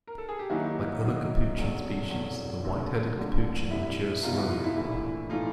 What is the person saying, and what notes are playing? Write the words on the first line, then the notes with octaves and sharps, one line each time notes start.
Like other capuchin species, the white-headed capuchin matures slowly.
A#4
A4
G#4
G4
D#3 F#3 A#3 D#4 E4 F#4
D#3 F#3 A#3 D#4
F1 E2 B2 F#3
F1 E2 B2 F#3
F1 D#2 D3 F#3 A3
F1 D#2 D3 F#3 A3
C2 B2 G3 B3 E4
C2 B2 G3 B3 D#4 F4
E4 F#4
D#4 F4
E4
A#1 A2 E3 A3 E4
A2 E3 A3 D#4 F4